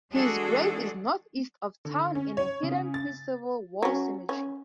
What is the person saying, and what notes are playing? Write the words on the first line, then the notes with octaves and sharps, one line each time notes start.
His grave is northeast of town in a hidden pre-Civil War cemetery.
E3 G#3 D4 F#4 G#4 A4
D3
C#4
C#5
C#3
A6
F#3 C#4
C#4